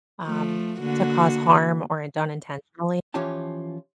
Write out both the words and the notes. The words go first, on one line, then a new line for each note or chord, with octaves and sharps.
um, to cause harm or done intentionally,
F3 A3
D3 A#3 F#4
E3 F3 C#4 F4 G4 A5